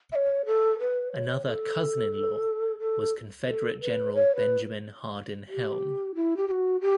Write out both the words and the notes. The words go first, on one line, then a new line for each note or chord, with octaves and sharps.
Another cousin-in-law was Confederate General Benjamin Hardin Helm.
E5
C#5
A4
B4
C#5
A4
A4
A4
B4
C#5
B4
G4
E4
G4
G4
F#4
G4